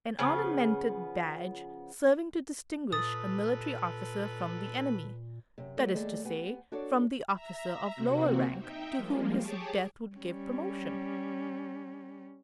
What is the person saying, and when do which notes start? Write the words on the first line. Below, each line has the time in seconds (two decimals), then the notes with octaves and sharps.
An ornamented badge, serving to distinguish a military officer from the enemy--that is to say, from the officer of lower rank to whom his death would give promotion.
0.19 C#3 F3 B3
2.92 A#2 A4 B4 D#6 A6
5.58 F#2 C3
5.77 F#3 A3 B3
5.93 D#2 G3 A3 G#4 A4 D5
6.25 B3 G4 G#5
6.72 D4 F#4 A4 C#5 D5
7.33 E5 A#5
7.95 C3 A#3 C4 F#4
8.57 D#4 E5 G5
8.96 F3 G3 G#3 A#3
9.36 G4 G#4 C#5 A5 D6
10.16 G3 C#4